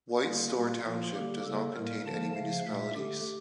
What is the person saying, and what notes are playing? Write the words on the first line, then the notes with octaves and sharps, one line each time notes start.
White Store Township does not contain any municipalities.
D3 G3 A#3 F4
A#2 G3 A#3
A#2 F3 A#3 F4
D3 G3 A#3 G4
C#3 G3 A#3 A4
A2 G3 A#3 A#4
D3 F3 A#3 A5
C#3 F3 A3 F5
A#2 A3 E5
D3 A3 G4